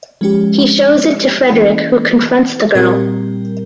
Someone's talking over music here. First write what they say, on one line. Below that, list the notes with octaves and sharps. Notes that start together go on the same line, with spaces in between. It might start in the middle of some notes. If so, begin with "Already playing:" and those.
He shows it to Frederic who confronts the girl.
F3 G#3 C#4 G4
E3 A#3 C#4 E4
A#2 G3 C4 G4 A#4